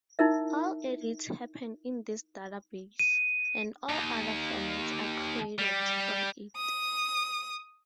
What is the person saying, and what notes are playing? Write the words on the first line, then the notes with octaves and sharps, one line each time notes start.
All edits happen in this database, and all other formats are created from it.
D#4 E4 A#4 E5
D#7
D#2
G3
D#6